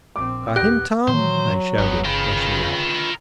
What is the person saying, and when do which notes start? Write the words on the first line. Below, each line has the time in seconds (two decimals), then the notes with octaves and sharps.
"Got him, Tom?" I shouted, rushing up.
0.16 A#1 C4 D6
0.56 D#2 B3 G4 F#6 G6 A#6 D7
1.08 A#2 D#3 E3 F#3 C5
1.78 G1 G#2 B3
2.05 C#3 F4 A#4 B4 G5